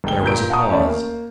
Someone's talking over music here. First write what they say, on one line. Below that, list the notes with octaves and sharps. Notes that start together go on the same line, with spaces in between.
There was a pause.
G1 G#3 G5 G7
A#2 A#5 G6 D7
F5 F#5 A5 A#5 C#6 D#6
A3 C#4 C#5 D5
A#3